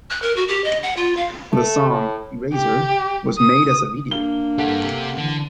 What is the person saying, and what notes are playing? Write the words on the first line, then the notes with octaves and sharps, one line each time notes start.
The song, "Eraser" was made as a video.
F#6
A#4
F#4
G4
D#5
F#5
F4
F5
A3
A2
G4
D#6
A#3 D4 G7
G2 G3 A4 F#5
C3 G4
D3 E3